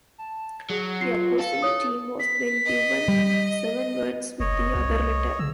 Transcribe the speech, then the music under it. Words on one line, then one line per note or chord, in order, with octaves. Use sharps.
The opposing team was then given seven words with the other letter.
A5
F#3 G#4
F4 C7
A4 F5
E4 C#5 D#6
B6
D#5
G3
F#1 C#5 D#5
C2
C#3 E6